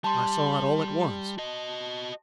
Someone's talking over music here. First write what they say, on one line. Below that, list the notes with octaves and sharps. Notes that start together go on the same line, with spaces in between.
I saw it all at once.
G3 A5 C6
F#4 D#5